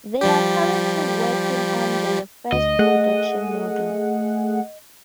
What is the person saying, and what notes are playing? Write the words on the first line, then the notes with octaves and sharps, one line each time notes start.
They are currently working on their first production model.
F3 G3 G4
D2 D#5
A3 G#4 F#5